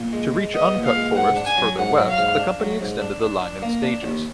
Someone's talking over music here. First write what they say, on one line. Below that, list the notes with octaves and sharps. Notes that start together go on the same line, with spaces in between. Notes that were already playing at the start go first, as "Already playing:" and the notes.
To reach uncut forests further west, the company extended the line in stages.
Already playing: A#2
G#3
G#3
B3 D#5
A#2
F5
G#3
G#2 F#5
D4
G#5
F#3
G#2 F#5
F#3
F5
G#2
D4
F#3
G#2
D4
D4
D4
A#3
D4
D#2